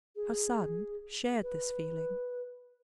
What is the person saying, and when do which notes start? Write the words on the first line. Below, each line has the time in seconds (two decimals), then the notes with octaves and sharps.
Her son shared this feeling.
0.15 G#4
1.42 B4